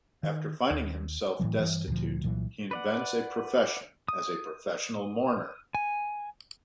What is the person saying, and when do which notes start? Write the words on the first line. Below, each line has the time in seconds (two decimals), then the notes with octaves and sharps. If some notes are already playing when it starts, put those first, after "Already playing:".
After finding himself destitute, he invents a profession as a Professional Mourner.
0.23 D#3
0.71 D#2
1.40 A2 C3 E3 F#3
1.59 G2 E3
1.87 D2 A#2 F3
2.24 C2 A#2 E3 F#3
2.71 B4 D5 F#5
4.08 D#6
5.75 G#5